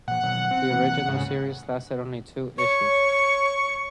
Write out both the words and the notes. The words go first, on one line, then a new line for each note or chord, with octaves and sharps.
The original series lasted only two issues.
A#2 F3 F#5
B2 D#3 F#3
C4
C3 E3 A#3
D2 G#2 C#3
C#5 C#6